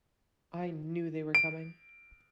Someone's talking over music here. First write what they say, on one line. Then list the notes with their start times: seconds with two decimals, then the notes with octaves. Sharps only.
I knew they were coming.
1.35 D7